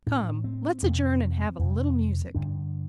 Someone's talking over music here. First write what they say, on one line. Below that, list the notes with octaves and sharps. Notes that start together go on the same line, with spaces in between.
"Come, let's adjourn and have a little music."
A2 D4
C4
F2 C3 C4
F2 C3
G2 D3 D4